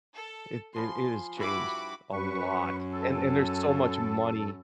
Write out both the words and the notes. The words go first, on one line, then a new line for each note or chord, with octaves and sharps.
it it it has changed a lot, and and there's so much money
A4
F3 G#5 B5 C6
G2 E4 F#4 B5 D6
F#2 B4 C#6
A4